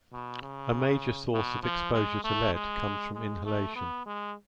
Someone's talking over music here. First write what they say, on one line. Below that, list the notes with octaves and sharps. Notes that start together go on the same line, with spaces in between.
A major source of exposure to lead comes from inhalation.
B2
C#3
B2
F3
G#3
A3
G#3
G#3
A3
B3
G#3